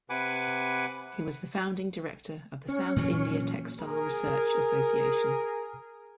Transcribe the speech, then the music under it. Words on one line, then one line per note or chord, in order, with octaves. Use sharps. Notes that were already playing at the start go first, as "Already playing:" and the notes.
He was the founding director of The South India Textile Research Association.
C3 B4 F#5 G#5 D6
C#4
A#2 E3 F#3
G#4 A#4